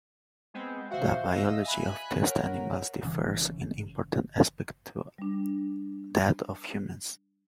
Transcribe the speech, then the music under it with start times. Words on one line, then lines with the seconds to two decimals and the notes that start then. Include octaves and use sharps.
The biology of test animals differs in important aspects to that of humans.
0.54 G#3 B3 C4
0.91 F#4 C5 E5 F5
1.32 D#5 E6
1.65 G#5 B5 F#6
2.25 A#4 C#5 F#5
3.03 G1 C#3 E3
5.18 G3 D4